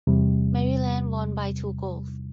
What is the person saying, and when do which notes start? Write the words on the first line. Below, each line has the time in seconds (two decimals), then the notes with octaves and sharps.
Maryland won by two goals.
0.07 E2 C3 G3